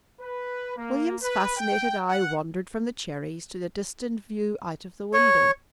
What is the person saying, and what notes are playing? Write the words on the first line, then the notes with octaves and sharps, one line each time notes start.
William's fascinated eye wandered from the cherries to the distant view out of the window.
B4
A#3
B4
G5
F#5
C#5